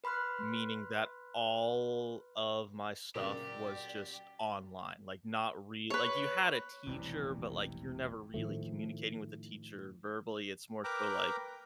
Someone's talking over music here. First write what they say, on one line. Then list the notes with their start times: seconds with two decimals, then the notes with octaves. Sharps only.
meaning that all of my stuff was just online. Like, not re like, you had a teacher, but, like, you're never really communicating with the teacher verbally, it's more so, like,
0.04 B4 B5 C6 F6 F#6
3.15 A#2 C#3 F#3 G4 A#4 D5
5.90 B4 C#5
6.87 E1 A1 C3 D#3 E3 G3
8.34 A2 D#3 F3 A3
10.84 A#4 B4 G5 A#5 D6